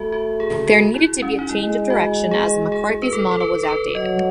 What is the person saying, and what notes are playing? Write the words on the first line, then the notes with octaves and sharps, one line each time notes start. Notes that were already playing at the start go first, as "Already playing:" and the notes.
There needed to be a change of direction as the McCarthy's model was outdated.
Already playing: A3 F#4
F#4
G#4
F#4
E4
C#4
D#4
G#3 E4
F#4
G#4
G#4
B4
A4
A4
B4
A4
B4
F#3 D#5